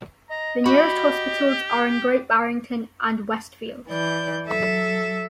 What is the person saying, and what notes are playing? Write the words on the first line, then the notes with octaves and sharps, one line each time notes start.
The nearest hospitals are in Great Barrington and Westfield.
D#5 A#5
F#4 G4 B5
E3 D5 G6
F#3 A4 E5